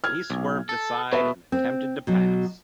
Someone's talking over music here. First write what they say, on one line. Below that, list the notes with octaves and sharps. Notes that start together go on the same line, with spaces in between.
He swerved aside, and attempted to pass.
F6 G#6
B1
A4
B2 B4 E5
C4
B2 F#3